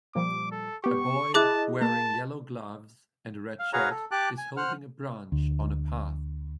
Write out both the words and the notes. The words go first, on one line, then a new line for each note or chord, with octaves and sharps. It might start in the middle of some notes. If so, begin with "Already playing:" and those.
A boy wearing yellow gloves and a red shirt is holding a branch on a path.
A#2 F3 G3 D6
A4
B3 G4 C#6
E4 G#4 D#5 A5 D6 F#6
A#3 A5
F5
F#4 G#4 B4 C#5 F5 A#5
A4
G4 A5 D6 F#6
G#5
C5 F#5 F6
D2